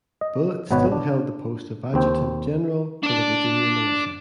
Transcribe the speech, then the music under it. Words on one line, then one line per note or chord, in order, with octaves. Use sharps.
Bullitt still held the post of Adjutant General for the Virginia militia.
D#5
G#1 B2 B3 B4 C#5
D4
D#2 C4 G5
D4 D5